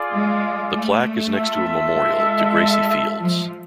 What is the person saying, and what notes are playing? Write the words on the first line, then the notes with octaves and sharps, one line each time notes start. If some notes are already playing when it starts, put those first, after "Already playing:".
The plaque is next to a memorial to Gracie Fields.
Already playing: F4 G#4 D5
G#3
A3
F4 A4 E5
G#3
F3